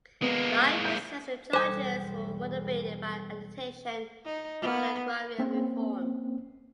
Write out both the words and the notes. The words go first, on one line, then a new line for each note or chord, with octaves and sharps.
Livy says the charges were motivated by agitation for agrarian reform.
G#3 A#3 B3
G6
B1 E2 G3 A4 C5 G#5 D6
D#4
B3
A#3 C4 C#4